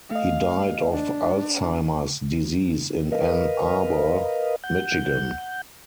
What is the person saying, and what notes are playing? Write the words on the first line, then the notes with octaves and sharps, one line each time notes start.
He died of Alzheimer's disease in Ann Arbor, Michigan.
A3 D#5 F5
D4
A#4 B4 D#5 F5
F#5 G6